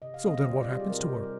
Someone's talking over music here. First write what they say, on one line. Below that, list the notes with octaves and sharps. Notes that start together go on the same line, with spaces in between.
So then what happens to her?
C3 D#5
F5
G3 C4 D#5
C5
C3 D5
F4
G4
G3 C4 G#4
A#4
C3 C5
A#4
G3